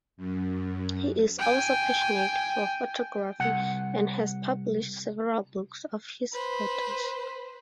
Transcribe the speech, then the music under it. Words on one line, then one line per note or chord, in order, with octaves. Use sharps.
He is also passionate for photography and has published several books of his photos.
F#2
G5 G#5
C2 F#5
B4 C5